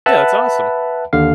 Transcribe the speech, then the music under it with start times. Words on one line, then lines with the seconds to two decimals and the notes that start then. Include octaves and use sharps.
Yeah, that's awesome.
0.06 B4 E5 F#5 A5 B5
1.13 D#2 D3 F5